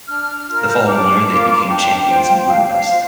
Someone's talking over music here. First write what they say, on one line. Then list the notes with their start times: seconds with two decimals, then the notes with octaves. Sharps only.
The following year they became champions in Budapest.
0.08 D4 F6
0.48 F4 A#4
0.69 G6
0.79 F6
0.88 D4 D6
1.28 F4 A#4
1.68 D4 G5
2.08 F4 C5
2.48 D4 F5
2.88 F4 C5